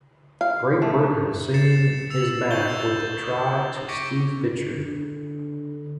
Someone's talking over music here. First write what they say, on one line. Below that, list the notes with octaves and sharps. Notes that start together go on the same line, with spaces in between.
Great Britain soon his back with a try to Steve Pitchford.
F5
A3
A6 C7 C#7 E7
E6 C#7 E7 F7
C#6 G6 G7
E6 A6 F7
C#6 D6 A#6 B6 C#7 D7
D3